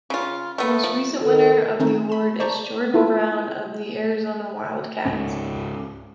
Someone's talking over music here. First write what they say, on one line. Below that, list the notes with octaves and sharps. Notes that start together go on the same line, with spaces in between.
The most recent winner of the award is Jordan Brown of the Arizona Wildcats.
C#3 F4
A3 B3
F3
D#3 A4
D#3 E3 C4 C#4 D#4
B5 E7
C5 D5 A5 A#5 C#6
E4 F4 A4
C#2 G#2 C#4